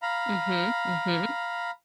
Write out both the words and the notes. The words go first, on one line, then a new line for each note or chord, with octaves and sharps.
Mhm, mhm.
F5 A#5 B5